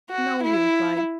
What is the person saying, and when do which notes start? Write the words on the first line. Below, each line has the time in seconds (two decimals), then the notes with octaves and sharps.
"No," he replied.
0.10 F#4
0.42 E4